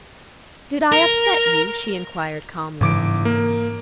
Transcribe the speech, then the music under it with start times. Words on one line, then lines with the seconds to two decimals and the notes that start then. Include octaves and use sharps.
"Did I upset you?" she inquired calmly.
0.92 A#4
2.81 G1 G#2 C#3 E3 D6 D7
3.25 A#3